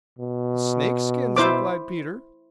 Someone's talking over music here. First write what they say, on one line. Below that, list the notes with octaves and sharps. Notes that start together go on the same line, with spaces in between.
"Snake skins," replied Peter.
B2
E4 C5 D6